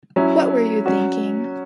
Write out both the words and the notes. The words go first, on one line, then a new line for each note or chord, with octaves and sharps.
What were you thinking?
F#3 C#4 E4
F#3 C#4 F#4